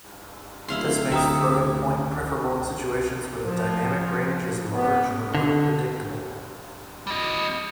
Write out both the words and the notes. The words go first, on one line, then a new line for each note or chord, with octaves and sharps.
This makes floating-point preferable in situations where the dynamic range is large or unpredictable.
D1 E4 F5 C6
D2 E5 G5 A#5 D#6
F3
B3
D3
G3 D#5